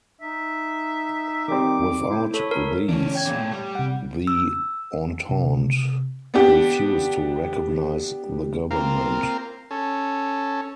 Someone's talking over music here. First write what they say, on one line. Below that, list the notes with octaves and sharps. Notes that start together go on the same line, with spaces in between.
Without these, the Entente refused to recognise the government.
D#4 E5
D#3 G3 C4 D6
E4 C5
A4 C#5 B5
A#4
E3 C#4 D4
C#5 G5 G#6
E2 A#2
A2
G3
C3 F#5
E6
C3
B3 D4 G4
A#3 C4 F4 A#4
C#4 A4